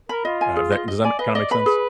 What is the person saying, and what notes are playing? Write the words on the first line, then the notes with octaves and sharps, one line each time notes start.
Uh, if that does that ma kinda make sense?
A#4 B5
F4 D#5
G#5
G#4
D#5
D#5
D5 G#5
B4 D#5
D5 D#5
B4 B5
G#4